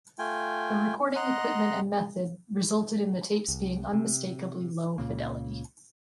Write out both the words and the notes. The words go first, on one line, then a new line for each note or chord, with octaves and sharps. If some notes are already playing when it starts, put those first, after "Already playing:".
The recording equipment and method resulted in the tapes being unmistakably low fidelity.
A3 F4 G5 G#5
D#5 F#5 A#5 C6 F#6
C2
C3
C#2 A#2 C#3 A#3